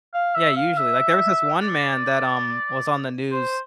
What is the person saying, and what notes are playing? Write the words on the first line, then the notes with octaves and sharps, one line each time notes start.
Yeah, usually, like, there was this one man that, um, was on the news,
F5
E5
F5
E5
D5
C5